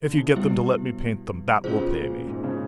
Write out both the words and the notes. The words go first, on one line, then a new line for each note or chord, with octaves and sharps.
If you get them to let me paint them, that will pay me.
D3
C#3
C3
B2 G3 B3 E4 G4
B2 C#4 F4 G#4 C5
A#2
G#2
C#3